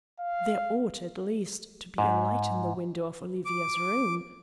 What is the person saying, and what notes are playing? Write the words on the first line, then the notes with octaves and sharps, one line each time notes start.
There ought, at least, to be a light in the window of Olivia's room.
F5
G#2
D6